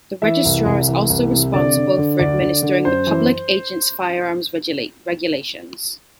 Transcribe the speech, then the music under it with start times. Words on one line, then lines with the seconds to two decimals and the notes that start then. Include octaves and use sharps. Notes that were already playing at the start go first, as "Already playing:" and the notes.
The Registrar is also responsible for administering the "Public Agents Firearms Regulations".
0.22 E3 E5
0.45 C2
0.66 C2
0.88 E3
1.10 C2
1.31 C3
1.53 D3 D5
1.76 D3
1.98 D3
2.19 D2 D5
2.41 D3
2.63 D3
2.84 F#2 C5
3.07 E3